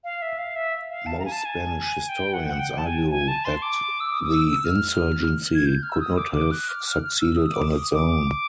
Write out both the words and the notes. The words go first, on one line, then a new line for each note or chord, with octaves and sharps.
Most Spanish historians argue that the insurgency could not have succeeded on its own.
F5
E5
F5
E5
F5
A5
A#5
G#5
A5
G#5
G5
F#5
F#5
G5
A5
G#5
G#5
A5
C6
D6
E6
D#6
D#6
E6
E6
E6
F6
G#6
G6
F6
E6
D#6
D6
D6
F#6
F6
F6
F6
E6
D#6
D6
D#6
D#6
D6